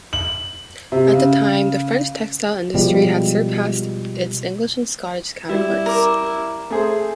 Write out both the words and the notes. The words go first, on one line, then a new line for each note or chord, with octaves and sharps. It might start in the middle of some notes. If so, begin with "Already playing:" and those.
At the time, the French textile industry had surpassed its English and Scottish counterparts.
F#7
C3
C#3
B2 F3 G3 G#3
G3 E4
A#4 D6
A3 G#4 C5